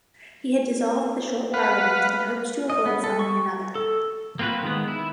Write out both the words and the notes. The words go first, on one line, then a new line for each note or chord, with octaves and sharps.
He had dissolved the Short Parliament and hoped to avoid summoning another.
B4 F5 F#5
D#5
B3
A4
C#6
A4
A#3 C4 F4 F#4 B4
D#3 G#3 B3
E4